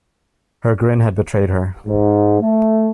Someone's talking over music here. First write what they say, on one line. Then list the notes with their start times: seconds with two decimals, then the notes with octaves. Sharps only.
Her grin had betrayed her.
1.87 G#2
2.41 A3